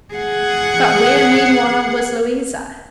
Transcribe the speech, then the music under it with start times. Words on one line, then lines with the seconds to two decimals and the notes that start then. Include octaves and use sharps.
But where, meanwhile, was Louisa?
0.14 G#4 F#5